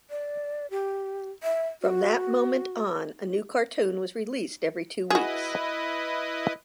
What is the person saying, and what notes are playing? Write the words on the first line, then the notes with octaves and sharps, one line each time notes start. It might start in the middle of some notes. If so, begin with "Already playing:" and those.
From that moment on, a new cartoon was released every two weeks.
D5
G4
E5
F#4
E4 F#4 G#4 B4 D#5